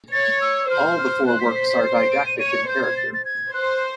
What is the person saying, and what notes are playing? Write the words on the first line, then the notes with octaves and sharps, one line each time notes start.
All the four works are didactic in character.
C#5 A6
E6
C5 F6
F6
C5 F#6
B6
B6
B6
C7
C7
D7
D#7
C#5 D#7
C#7
C5 G6
G#6
A6
A6
G#6
C5 F#6